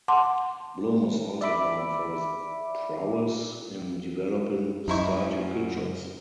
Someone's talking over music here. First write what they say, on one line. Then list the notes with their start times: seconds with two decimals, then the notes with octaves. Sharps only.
Bloom is also known for his prowess in developing starting pitchers.
0.08 F#5 A5 C6 D6
1.41 D5 E5 B5 D6
4.88 F#2 D#4 E4 C#6